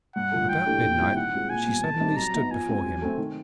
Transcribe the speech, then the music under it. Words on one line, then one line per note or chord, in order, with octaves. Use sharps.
About midnight she suddenly stood before him.
G2 F#5
D3 F3 A3
G#2 G5
E3 A3 D4 G4
A#2
G3 C4 E4
D#3 F#5
G#3 C4 F4 G#4
A#2 G#5
G3 B3
D3 A5
G3 C4 D#4
F#3 A#5
B3 D#4
F3 G#5
G#3 C4
F#3
A3 C4
D#3